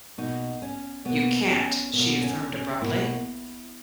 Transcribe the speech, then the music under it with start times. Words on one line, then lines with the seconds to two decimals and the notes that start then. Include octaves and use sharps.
"You can't," she affirmed abruptly.
0.18 B2 A#3 D#4
0.62 C#4
1.05 B2 A#3 B3
1.50 C#4
1.93 B2 A#3 B3
2.23 C#4
2.53 C#4
2.82 B2 A#3 E4